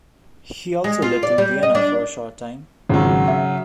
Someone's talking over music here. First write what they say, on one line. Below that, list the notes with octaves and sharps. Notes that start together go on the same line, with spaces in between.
He also lived in Vienna for a short time.
G#3
F4
D5
G3
D#5
D4
G#1 C#3 F#3
E5